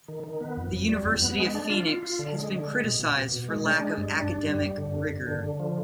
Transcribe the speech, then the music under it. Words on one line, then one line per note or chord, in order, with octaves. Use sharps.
The University of Phoenix has been criticized for lack of academic rigor.
D#3
D#3
B3
F2
F2
G3
F2
B3
G#3
D4
F4
F4
F4
D3
G#3
D3
G#3
B2
B2
B2
B2
G#3
D4
G#3
G2
D4
G2
G3
G2
D3
G2
G2
D3
D3
F3